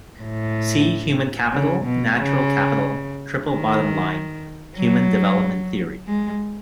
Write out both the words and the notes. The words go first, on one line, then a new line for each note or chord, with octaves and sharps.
See human capital, natural capital, triple bottom line, human development theory.
A2
C#3
B2
C#3
D#3
F#3
G#3